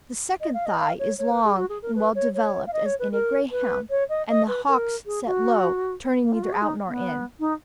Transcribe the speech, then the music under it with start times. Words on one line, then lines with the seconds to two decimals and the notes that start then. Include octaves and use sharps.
The second thigh is long and well developed as in a Greyhound, and the hocks set low, turning neither out nor in.
0.40 D#5
0.53 F5
0.65 D#5
0.78 F5
0.99 C#5
1.18 C#5
1.30 B4
1.44 G#4
1.56 F#4
1.69 G#4
1.82 A#4
1.95 B4
2.15 C#5
2.34 C#5
2.66 F5
2.73 D#5
2.85 C#5
2.99 B4
3.12 A#4
3.51 B4
3.90 C#5
4.09 D#5
4.29 D#5
4.48 B4
4.68 A#4
5.06 G#4
5.26 F#4
6.22 A#3
6.32 F4
6.42 F#4
6.52 G#4
6.62 D#4
6.88 B3
7.39 D#4